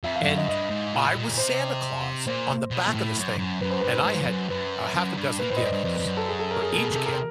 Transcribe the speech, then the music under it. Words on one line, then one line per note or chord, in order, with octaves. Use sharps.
and I was Santa Claus on the back of this thing, and I had a half a dozen gifts for each kid,
F2 E5
F5
F2
F#2
D#5
G2 D#5
G#2
A#2
A2
A#2
C#3
C3 C5
A#2 C5
B2
A#2
A2
F#2
F#2
F#2 B4
C5
G2 B4
A2
G#2
F2
F#2
F#2 B4
F#2
G2
A#2 B4
A2 C5
D#5
G2 D5
G2
F2 B4
F2 B4
F#2
A4
G#4
A4
A#4
G#4
B2 A4
G#4
B2
C3 A4
A#4